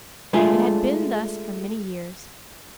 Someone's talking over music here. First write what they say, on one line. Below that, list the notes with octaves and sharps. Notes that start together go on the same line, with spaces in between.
It had been thus for many years.
G#3 A3 D4 F4 G#4